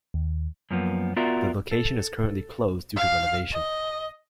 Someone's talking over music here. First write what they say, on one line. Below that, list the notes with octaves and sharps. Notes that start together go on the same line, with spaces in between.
The location is currently closed due to renovation.
D#2
F#2 F3 A#3 B3
B3 F4 F#4 A#4 D5 E5
A4
F5
D#5